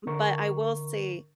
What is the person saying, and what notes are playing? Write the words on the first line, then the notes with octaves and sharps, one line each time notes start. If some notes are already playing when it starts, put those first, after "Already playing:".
m but I will say
D3 A#4 C#6